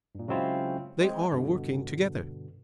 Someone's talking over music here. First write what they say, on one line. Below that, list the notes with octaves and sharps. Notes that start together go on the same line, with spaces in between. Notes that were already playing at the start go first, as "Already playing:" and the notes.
They are working together.
G2 A#2
C#3 F#3 G#3 C4 E4 F4
G#3 C4
G2 B2 D3